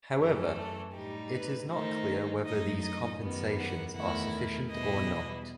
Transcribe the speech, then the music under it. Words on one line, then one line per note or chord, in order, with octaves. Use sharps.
However, it is not clear whether these compensations are sufficient or not.
F#2 E3 A3 G4
A4
A2 G3 D#4 G4
B4
D#3 A3 D#4 C5
F#2 F#3 A3 D#4 D#5
D#5
F#2 D#3 G3 B3
F#5
E2 D#3 A3 E4 F#5
E2 B2 G3 B3 E4 D#5